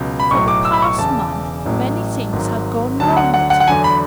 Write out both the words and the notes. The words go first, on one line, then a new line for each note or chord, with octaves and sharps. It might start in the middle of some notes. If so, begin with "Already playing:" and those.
For the past month many things had gone wrong with him.
Already playing: C#2 B2 F#3
B5
B1 A2 F#3 C#6
D6
E6
B5
C#6
E1 E2 C#3 A5
A1 A2 F#3
G#1 G#2 F#3
D2 D3 F#3 A5
F#5
F#5
F#5
F#5
E2 D3 F#3 G#5
B5